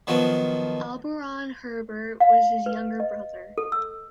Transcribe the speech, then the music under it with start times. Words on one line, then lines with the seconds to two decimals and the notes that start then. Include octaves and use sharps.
Auberon Herbert was his younger brother.
0.07 D#3 F3 F#3 B3
2.20 F5
2.66 B4
3.00 D#5
3.58 A4
3.72 E6